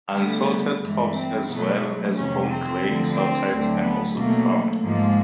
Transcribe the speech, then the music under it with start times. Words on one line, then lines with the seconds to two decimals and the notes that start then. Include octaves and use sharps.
Unsalted tops as well as whole grain saltines can also be found.
0.14 D2 D3 G3 B3
0.80 G2 E3 G#3
1.15 C4
1.47 B2 F#3 A3 B3
2.15 F2 C3 D#3 C#4
2.49 C4
2.82 D2 D3 F3
3.16 C4
3.49 D2 D3 F#3
3.82 B3
4.15 B2 F#3 A3 A#3
4.83 G#2 F3 G#3 A#3